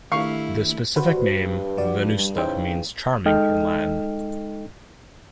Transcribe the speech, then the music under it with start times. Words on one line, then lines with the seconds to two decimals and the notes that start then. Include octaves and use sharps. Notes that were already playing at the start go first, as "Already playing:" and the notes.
The specific name, "venusta", means "charming" in Latin.
0.12 D#3 A3 D4 E4 G4 F5 C#6
0.96 G2 F#4 B4 C5
1.77 F3 F#4 D5
2.19 G3
2.36 E2 C#3 D#4 C5 G5
3.26 G#3 D#4 A4 D#5 G5 F6